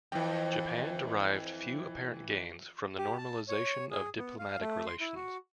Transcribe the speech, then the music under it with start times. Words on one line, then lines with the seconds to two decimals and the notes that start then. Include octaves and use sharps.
Japan derived few apparent gains from the normalization of diplomatic relations.
0.12 F2 E3 G5
2.98 G4
3.17 A5
3.48 C#5
3.91 G#4
4.18 B3
4.39 F5
4.60 A3
4.86 C6
5.00 E4
5.15 F#4